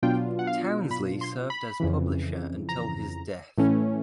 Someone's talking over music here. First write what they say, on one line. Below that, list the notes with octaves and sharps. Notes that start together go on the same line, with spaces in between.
Townsley served as publisher until his death.
B2 F#3 B3 D4 F4 G5
F#5
F5
B5
C6
B5
F2 C#3 E3
A#5
A2 E3 A3 C#4